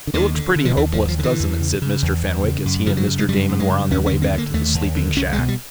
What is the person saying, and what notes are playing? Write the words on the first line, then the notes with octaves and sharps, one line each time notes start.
"It looks pretty hopeless; doesn't it?" said Mr. Fenwick, as he and Mr. Damon were on their way back to the sleeping shack.
D3
D#2 D#3
D3
D3
F3
D#2 E3
F3
D#2
F3
D3 D#3
E3
E2
C#3
C#3
E2
E2
C#3
F#2
C#3 F3
F#3
C#3
G#3
F#2 G3
F#2
G#3
C#3
D#2 C#4
C#4
D3
C4
D3 A#3
D#2 A3
D#2
D3
C2 C#4
G#3
B2
G3